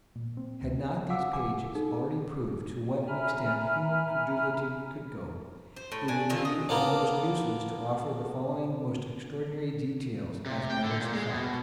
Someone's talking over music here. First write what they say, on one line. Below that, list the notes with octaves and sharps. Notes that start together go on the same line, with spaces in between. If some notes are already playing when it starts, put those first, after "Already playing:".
Had not these pages already proved to what an extent human credulity could go, it would be almost useless to offer the following most extraordinary details as matters of fact.
A#2
C4
D2
F5 F#5 D6 E6
G#5 D6
D#4 A4
E5 G#5 A#5 B5 F6
C5
A2
D4 G#5
D3 D#3 C4 F4
D#5
A#3 B3 D4
C3
G5
D3
A#2
G#3
B2